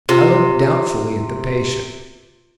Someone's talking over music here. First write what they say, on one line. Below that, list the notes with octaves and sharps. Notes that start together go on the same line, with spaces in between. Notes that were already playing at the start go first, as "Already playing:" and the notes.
I looked doubtfully at the patient.
C3 F4